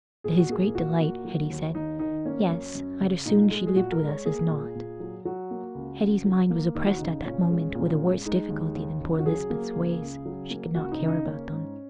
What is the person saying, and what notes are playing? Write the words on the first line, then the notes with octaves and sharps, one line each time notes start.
To his great delight, Hetty said, "Yes; I'd as soon she lived with us as not." Hetty's mind was oppressed at that moment with a worse difficulty than poor Lisbeth's ways; she could not care about them.
A#2 G#4
F#4
A#3 G#4
A#2 F#4
A#3
F#3
D#2
D#2 D#4
D#3 D#4
A#3 C#4
F#2
F#2
C#3
A#2 D#4
G#3
G#4
A#2 F#4
A#4
G#3
C#5
A#3 G#4
A#2
A#2
F#3
F#3 F#4
A#3
C#2
C#3
F#3
A#3
D#2 D#4
F#4
C#3 D#4
A#2 C#4
G#3
A#2
G#3
G#3 D#4
D#2
D#2
C#3
F#4
F#3 G#4
A#3
C#2
C#3
F#3
A#3
C#2 F#4
D#4
C#3
D#4
A#3 C#4
G#2